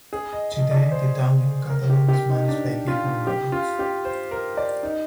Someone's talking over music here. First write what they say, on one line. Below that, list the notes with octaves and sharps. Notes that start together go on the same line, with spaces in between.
Today, the Dunhill catalogue is managed by Geffen Records.
G#4
D#5
D#5
D5
C5
A#4
G4
G4
D#4
D4
F4
G4
F4
G4
C5
A#4
D5
D#4